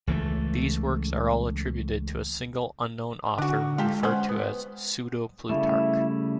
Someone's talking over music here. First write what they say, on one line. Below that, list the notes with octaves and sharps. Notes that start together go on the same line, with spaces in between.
These works are all attributed to a single, unknown author, referred to as "Pseudo-Plutarch".
C#2 E3 F3 A3
D3 D4 F#4
G#3 F4 G4 A4
C#4 C5 F#5
B3
C#3 G3 A3 E4